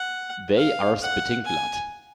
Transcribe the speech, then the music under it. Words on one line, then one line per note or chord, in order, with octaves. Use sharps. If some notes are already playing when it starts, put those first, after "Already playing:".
They are spitting blood.
Already playing: F#5
F5
F#5
G#5